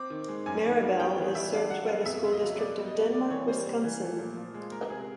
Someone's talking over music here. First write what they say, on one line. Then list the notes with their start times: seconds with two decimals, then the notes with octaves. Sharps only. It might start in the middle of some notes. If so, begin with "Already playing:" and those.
Maribel is served by the School District of Denmark, Wisconsin.
Already playing: C4 D6
0.10 D#3
0.28 G#3
0.46 F#2 G#5
0.64 D#3
0.82 G3
0.99 B3 G5
1.18 E3
1.35 G3 E5
1.53 D4 F5
1.70 F#3 F#5
1.88 B3 F5
2.06 F2 E5
2.23 C#3
2.32 D#5
2.41 F#3
2.59 B2 D5
2.77 G3
2.86 D#5
2.95 B3
3.12 A#3 D5
3.30 E3 C#5
3.48 G3 C5
3.66 C3
3.84 E3
4.01 A3
4.18 A#2
4.36 F3
4.54 G#3
4.72 G#3 A#4
4.90 C3 G#4